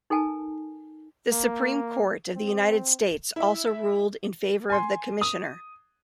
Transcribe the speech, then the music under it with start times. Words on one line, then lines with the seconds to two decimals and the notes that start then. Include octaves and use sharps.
The Supreme Court of the United States also ruled in favor of the Commissioner.
0.10 D#4 A4 A#4 G#5 A5
1.31 A#3
2.36 C4
3.36 E4 E5
4.70 G#5 C6
5.21 D#6